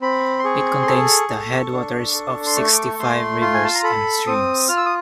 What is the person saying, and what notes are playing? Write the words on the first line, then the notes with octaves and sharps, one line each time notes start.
It contains the headwaters of sixty-five rivers and streams.
C4 B5
C6
G#4 C#6
C6
A4 C#6
A4
D4
A4
C6
A3 C#6
D6
C#6
A3 C6
F4 C6
G#5
A5
A#5
A4 B5
C4 D#6
F4 F6
E6
D#6